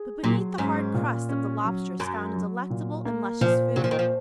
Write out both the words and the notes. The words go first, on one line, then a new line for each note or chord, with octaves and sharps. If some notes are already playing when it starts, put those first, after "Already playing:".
But beneath the hard crust of the lobster is found a delectable and luscious food.
Already playing: G#4
A#2 F#3
G#2 C#4
A#2
C#4
F#3
F#2 F#3
F#3
A#2
A#3
A#2 F3
A#2 F#3
F3
D#3
F3